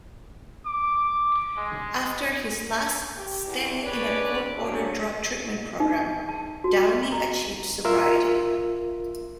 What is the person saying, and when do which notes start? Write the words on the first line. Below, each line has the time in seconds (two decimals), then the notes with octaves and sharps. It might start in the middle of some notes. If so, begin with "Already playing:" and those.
After his last stay in a court-ordered drug treatment program, Downey achieved sobriety.
0.66 D6
1.57 G#3
3.16 G4
3.46 E2
3.82 C#4 D4 G#4 B4 C#5 D5
4.56 F#3 A3 C#4 D4 G#4
5.80 D#4
6.29 A5
6.64 F#4
7.12 A#5
7.85 F4 A#4 E5 C6